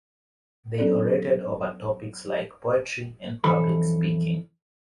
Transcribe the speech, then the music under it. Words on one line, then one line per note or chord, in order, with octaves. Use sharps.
They orated over topics like poetry and public speaking.
F#3 B3 C#4 D4 A4 D5
B1 F2 E3 A4 B5